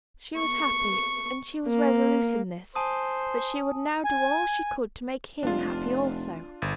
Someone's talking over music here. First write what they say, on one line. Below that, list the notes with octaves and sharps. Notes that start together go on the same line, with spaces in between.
She was happy, and she was resolute in this,--that she would now do all she could to make him happy also.
C#6
A#3
C5 G#5 A5 D#6
G#5
F1 D4 F4
G1